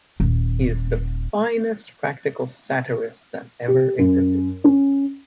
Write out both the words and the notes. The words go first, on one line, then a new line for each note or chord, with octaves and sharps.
He is the finest practical satyrist that ever existed.
D#1
G4
F#2
C#4